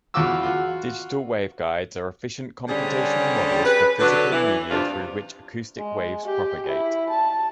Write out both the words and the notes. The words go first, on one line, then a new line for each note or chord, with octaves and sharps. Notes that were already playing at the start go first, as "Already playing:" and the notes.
Digital waveguides are efficient computational models for physical media through which acoustic waves propagate.
E2 C#3 F4 F#4 D6 E6
F4 F#4
D3 G3 C4 C#4 G#4
B4
D3 F#3 D4 A4 B4
E3
E2 C3 G3 D4 F4
G#3
G4
E4
A5